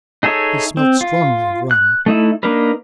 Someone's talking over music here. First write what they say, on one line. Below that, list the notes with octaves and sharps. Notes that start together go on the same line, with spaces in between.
He smelt strongly of rum.
D#4 G#4 A4 C#5 E5
C4
F4
F#6
A3 D#4 E4
A#3 D4 D#4 A#4 B4